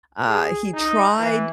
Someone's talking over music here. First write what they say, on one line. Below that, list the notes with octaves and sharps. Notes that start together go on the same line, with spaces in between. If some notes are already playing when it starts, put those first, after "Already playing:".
Uh, he tried
G#4
D#4
E3